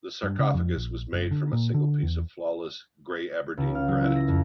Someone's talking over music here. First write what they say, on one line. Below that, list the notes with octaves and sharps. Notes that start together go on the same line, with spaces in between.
The sarcophagus was made from a single piece of flawless grey Aberdeen granite.
G2
C#3
F2
A#1
F#1
D3
A#2
D3
E2
C#2
F5
F#3
E4
A#6
F2